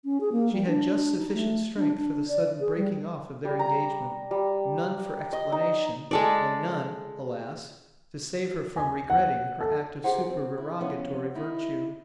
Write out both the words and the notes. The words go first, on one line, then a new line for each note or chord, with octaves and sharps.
She had just sufficient strength for the sudden breaking off of their engagement, none for explanation, and none, alas! to save her from regretting her act of supererogatory virtue.
C#4
G#4
A#3
G3
D4
D#4
A3
D4
D4
D5
G#4
G3
G3
A#5
G3
D#5
D#4
G#3 A4 D5
G#5
F#5
A4
F4 G4 G#4 A#4 C5 F#5
C4
E4
F3 B3 C#4
D#4 E4